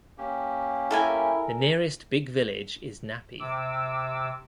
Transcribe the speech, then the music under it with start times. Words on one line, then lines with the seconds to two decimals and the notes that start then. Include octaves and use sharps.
The nearest big village is Nappi.
0.18 A#3 C#4 G4
0.91 E4 A4 A#4 G#5
3.40 C3 D6 E6